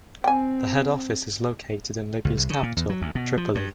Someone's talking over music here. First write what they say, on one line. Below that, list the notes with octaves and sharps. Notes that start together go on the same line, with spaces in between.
The head office is located in Libya's capital Tripoli.
C4 G5 G#5
C#2
C2
C#3
A#2
E2
F#3
D2
B2
F3
G2